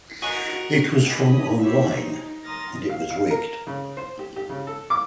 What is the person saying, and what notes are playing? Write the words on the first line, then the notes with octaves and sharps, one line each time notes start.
It was from online, and it was rigged.
F#4 A#4 D#5 F#5 G#5
G4 D#5 G#5 B5 D#6
E4 F#4 G4 C5 C#5 E5
D#4
A#5 C6 D#6 F6 A6 A#6
F5
F5
A#4
C#3
C5
G4
G4
C#3
A4
D6